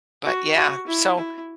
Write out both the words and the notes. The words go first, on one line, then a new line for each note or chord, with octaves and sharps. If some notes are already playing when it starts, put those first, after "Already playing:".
but yeah, so
F#4
F#4
E4
E4